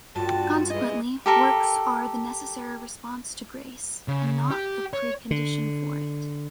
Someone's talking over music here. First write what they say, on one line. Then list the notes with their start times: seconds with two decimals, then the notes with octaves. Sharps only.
Consequently, works are the necessary response to grace and not the precondition for it.
0.16 G2 D3 F4 F#4 A5
0.70 E3 G#3 D#5
1.26 G4 A4 A#4
4.08 C#3
4.51 G4
4.93 C#5
5.31 D3